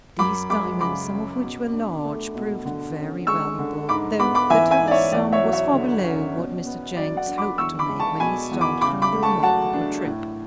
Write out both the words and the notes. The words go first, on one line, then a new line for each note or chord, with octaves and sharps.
These diamonds, some of which were large, proved very valuable, though the total sum was far below what Mr. Jenks hoped to make when he started on the remarkable trip.
F#2 B5 D6
G#3 B5 D6
C#3 B5 D6
C#4
B2
D4
A3
B2
D3
C#4
G#3 C#6 E6
D3
G#2 B5 D6
B3 B5 D6
B5 D6
E3 E5 G#5
E5 G#5
G#2
D5
C#5 E5
E2 D5
C#5 E5
F#3
C#5 E5
D3
C#4
B2
B3
F#3 D5
D5 F#5
D4
B5 D6
E2 C#6 E6
B5 D6
G#3
A5 C#6
B2 G#5 B5
E2
B5 D6
C#3 B5 D6
B5 D6
A3
A5 C#6
F#3 F#5 A5
D4
A2